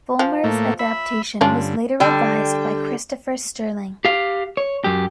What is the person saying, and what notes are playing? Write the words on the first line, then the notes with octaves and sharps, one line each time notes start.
Fullmer's adaptation was later revised by Christopher Sterling.
F3
A2 A3 A#3
E5 B5
G2 D3 C#4 D4 F4
D3 G3 G5
G4 F5
C#5
F#2 G4